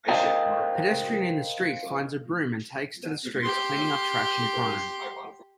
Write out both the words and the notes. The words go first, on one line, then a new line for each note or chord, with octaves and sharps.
Pedestrian in the street finds a broom and takes to the streets cleaning up trash and crime.
A#4 C5 D#5 F5 G5
G4 C6